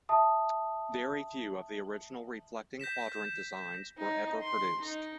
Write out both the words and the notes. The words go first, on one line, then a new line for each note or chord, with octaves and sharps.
Very few of the original reflecting quadrant designs were ever produced.
E5 A5 D#6
G6 A#6 B6 E7
D#4
C6
D#4